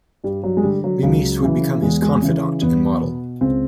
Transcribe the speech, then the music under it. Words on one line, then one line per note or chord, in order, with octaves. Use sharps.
Mimise would become his confidant and model.
G2 G3
F#3
G#3
D3 G3
F#3
C#2 F#3
C#3 E3
E2 G#3
G#3
C#3 E3
E2 B3
B2
C#2 C4